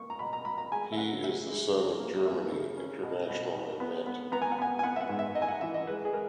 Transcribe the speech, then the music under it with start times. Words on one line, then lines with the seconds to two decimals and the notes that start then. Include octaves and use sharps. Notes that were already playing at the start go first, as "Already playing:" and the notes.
He is the son of Germany international Mehmet.
Already playing: A#3 C#6
0.10 A#5
0.19 B2 B5
0.33 A#5
0.45 B2 B5
0.58 A#5
0.71 G#3 G#5
0.92 E5
0.97 C#4 F#5
1.23 C#3 E5
1.49 G#3
1.74 C#3
2.00 A#3
2.25 A#3 E5
2.52 C#3
2.78 C#4
3.03 B2
3.30 B2
3.55 B2
3.80 B3
4.06 B3
4.32 B3 A#5
4.42 G#5
4.52 F#5
4.59 B3 G#5
4.79 G#5
4.83 B3 F#5
4.96 E5
5.01 F#5
5.09 G#2
5.19 E5
5.35 D#4 D#5
5.42 G#5
5.48 F#5
5.61 E3 E5
5.74 D#5
5.87 G#3 B4
6.05 G#4
6.12 G#3 A#4